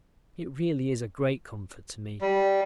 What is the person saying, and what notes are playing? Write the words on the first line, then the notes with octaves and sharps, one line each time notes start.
It really is a great comfort to me.
G3